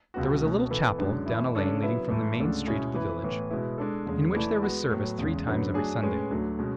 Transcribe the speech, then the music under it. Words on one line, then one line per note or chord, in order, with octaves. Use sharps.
There was a little chapel down a lane leading from the main street of the village, in which there was service three times every Sunday.
C#2 B2 F#3 B3 F#4
B2 A3 C#4
E3 B3 E4 A4
F#2 D3 G#3 D4
E3 A3 E4
C#3 G#3 D4 A4 C#5
F#3 B3 E4 B4 E5
G#2 E3 A3 E4
D2 C#3 G#3 D4 A4
B2 G#3 C#4 E4 G#4
E3 B3 E4 B4
A2 E3 B3
B2 G#3 B3 E4
G#3 D4 A4
E2 C#3 G#3
E3 A3 E4 A4 D5
G#3 B3 F#4
A2 F#3 B3
E2 C#3 G#3
F#2 D3 F#3 B3
F#3 A3 D4 G#4
A2 G#3 C#4 G#4 B4
D2 D3 F#3 A3
B2 G#3 C#4